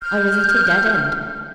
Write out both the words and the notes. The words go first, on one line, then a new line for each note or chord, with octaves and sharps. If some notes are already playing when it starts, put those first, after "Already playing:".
I was at a dead end.
F6 G6